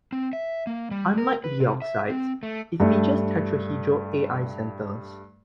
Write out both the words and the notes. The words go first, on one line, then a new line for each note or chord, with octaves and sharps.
Unlike the oxides, it features tetrahedral Al centers.
C4
E5
A#3
G3
A#4
B4
C3
E5
C4
A3
G2 A3